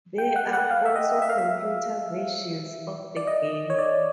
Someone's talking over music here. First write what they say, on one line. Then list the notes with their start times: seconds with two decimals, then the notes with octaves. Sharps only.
There are also computer versions of the game.
0.18 G5
0.36 F#5
0.53 F#5
0.71 F5
0.85 E5
0.96 D#5
1.22 E5
1.30 F5
1.38 E5
3.17 D5
3.27 D#5
3.70 C#5
3.79 D5